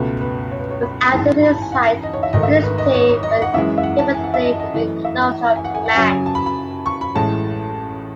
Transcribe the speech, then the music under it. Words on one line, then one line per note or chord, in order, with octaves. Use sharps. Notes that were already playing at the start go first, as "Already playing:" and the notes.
Without this insight, Christianity would inevitably remain closed off to man.
Already playing: C#2 B2 A3 B4
B4
C#5
B4
C#5
B5
B5
A1 G#2 E3 G#3 A5
B5
A5
G#5
F#5
D#5
C#5
E5
G#1 G#2 D#3 A3 D#5
E5
B4
D#5
C#5
C#5
D#5
F#5
F#2 E3 G#3 E5
E5
F#5
A5
G#5
F#5
E5
D#5
D#5
F#2 E3 A3
E5
G#5
F#5
G#5
F#5
F#2 C#3 F#3 G#5
G#5
A5
B5
B5
C#6
B5
A1 A2 G#3 A5